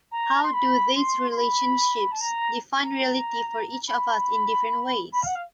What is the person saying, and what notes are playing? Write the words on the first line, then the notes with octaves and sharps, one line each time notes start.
How do these relationships define reality for each of us in different ways?
A#5
C6
B5
C6
C6
B5
A5
A#5
A#5
B5
B5
F5
F#5
F5